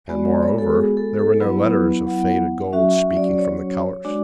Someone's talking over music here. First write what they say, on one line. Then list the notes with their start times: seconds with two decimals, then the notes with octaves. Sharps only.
And, moreover, there were no letters of faded gold speaking from the colors.
0.09 G#3 B3 F#4 D5
0.25 D5
0.43 C#5
0.58 A4
0.75 G#4
0.97 A4
1.19 A4
1.41 F#3 B3 E4 B4
2.07 F#5
2.73 F#3 C#4 F#4 E5
2.95 E5
3.17 D5
3.38 C#5
4.04 G#3 D4 F#4 D5